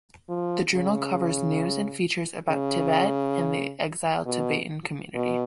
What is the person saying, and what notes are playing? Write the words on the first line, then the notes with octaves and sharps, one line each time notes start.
The journal covers news and features about Tibet and the exiled Tibetan community.
F3
C#3
C#3
B2
B2